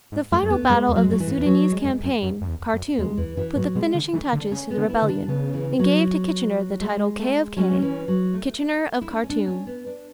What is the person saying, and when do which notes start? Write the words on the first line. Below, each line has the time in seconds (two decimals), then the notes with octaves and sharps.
The final battle of the Soudanese campaign, Khartoum, put the finishing touches to the rebellion, and gave to Kitchener the title "K. of K."--Kitchener of Khartoum.
0.12 G#2
0.32 F#2 A3
0.43 F#2
0.50 E2 B3
0.69 F#2 G#3
0.88 E2
0.96 F#3
1.03 G#3
1.08 F#2
1.11 F#3
1.20 E3
1.27 G#2
1.38 E2
1.46 F#2 F#3
1.72 G#3
1.84 F#2
2.03 F#2
2.22 F#2
2.41 F#2
2.47 E2
2.74 F#2
2.99 E2 G#3
3.17 E2 E3
3.37 F#2 E3
3.56 G#2 F#3
3.75 B2 G#3
3.94 D3
4.13 E3 A3
4.33 D3
4.40 D4
4.51 C#3 C#4
4.70 B3
4.77 D3
4.89 E4
5.02 D3
5.09 D4
5.28 C#3 B3
5.54 E3
5.79 F#3
6.81 G#3 A3
7.19 A3
7.57 F#3 C#4
7.82 E3
8.08 F#3
8.34 A3
9.01 E4
9.11 D4
9.23 C#4
9.29 D4
9.48 C#4
9.67 B3
9.86 D4